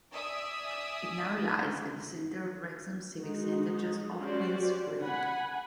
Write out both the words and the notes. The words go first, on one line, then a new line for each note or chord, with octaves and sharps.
It now lies at the centre of Wrexham's civic centre just off Queens Square.
D5 E5 G#5 D#6 E6
G#3 D#4 F#4
C#4 F#4 G4 C5 D5
F#5 G#5 B5